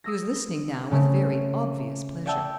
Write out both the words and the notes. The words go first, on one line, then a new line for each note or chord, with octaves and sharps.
He was listening now with very obvious pleasure.
D#6 E6 A#6
C#3 A3 C4 C#4
D5 E5 F#5 G5 A5 E6